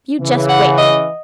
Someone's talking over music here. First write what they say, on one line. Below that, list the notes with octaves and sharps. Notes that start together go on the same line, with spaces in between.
"You just wait!"
C#3 E3
F#5
D#5